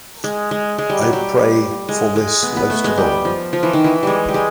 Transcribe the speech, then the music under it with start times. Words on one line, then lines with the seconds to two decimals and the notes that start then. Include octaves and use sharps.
I pray for this most of all.
0.24 G#3
0.51 G#3
0.78 G#3
0.90 G3
1.02 F#3
1.13 G3
1.89 G#3
2.16 G#3
2.43 B3
2.56 B3
2.70 A3
2.84 G#3
2.98 G3
3.25 F3
3.53 F3
3.63 E3
3.73 D#3
3.84 E3
4.03 G3 G#3
4.29 G3
4.34 G#3